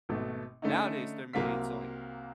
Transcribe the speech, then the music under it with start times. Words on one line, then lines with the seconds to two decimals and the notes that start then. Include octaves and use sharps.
Nowadays, they're made to, like
0.09 G#1 B2 A3
0.62 D3 A3 C#4 D#4
1.33 C2 F#3 A#3 C4 F5 B6